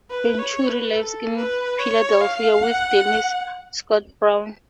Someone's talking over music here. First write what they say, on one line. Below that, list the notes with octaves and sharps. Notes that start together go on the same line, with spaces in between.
Venturi lives in Philadelphia with Denise Scott Brown.
B4
C#5
B4
A4
B4
C#5
F5
F#5